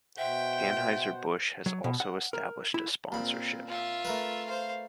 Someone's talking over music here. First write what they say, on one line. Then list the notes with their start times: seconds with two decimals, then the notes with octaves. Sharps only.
Anheuser-Busch has also established a sponsorship.
0.18 B2 C5 E5 F#5 G5
1.66 F#3
1.84 B2
2.00 F#5
2.33 A#4
2.74 E4
3.12 A#2 C4 B5
3.67 F4 E5
4.05 A3 A#4 B4
4.46 C5 F5